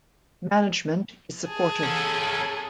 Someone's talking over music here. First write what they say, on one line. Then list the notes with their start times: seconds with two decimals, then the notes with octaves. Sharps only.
Management is supportive.
1.48 G#4 A5
1.83 C#4 A4